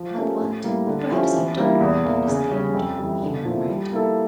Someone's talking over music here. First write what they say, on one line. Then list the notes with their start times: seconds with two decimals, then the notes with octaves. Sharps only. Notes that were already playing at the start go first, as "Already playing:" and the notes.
"But what--perhaps I don't quite understand," he murmured.
Already playing: F3
0.17 A3 C#4 G4 A#4
0.41 A2
0.64 G3 A#3 E4
0.87 D3
1.11 F3 C#4 E4 G4
1.34 E3
1.57 G3 A#3 E4
1.81 E2
2.04 E3 A#3
2.27 C#3
2.51 G3 C#4
2.74 F2
2.98 E3 G3
3.22 D3
3.45 F3 A#3 E4
3.69 G3
3.92 A#3 E4 A4